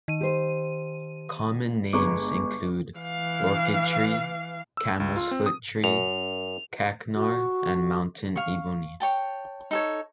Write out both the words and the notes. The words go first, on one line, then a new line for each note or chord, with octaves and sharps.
Common names include orchid tree, camel's foot tree, kachnar and mountain-ebony.
D#3 D#7
G4 C5
G1 G#3 B4 A#5 C#6 D6
E3 F5
E6
C#2
F4
C4
D#6
F#2 F7
F#4
F5 C#6
C#5 G5 A5
D#4 A4 C#5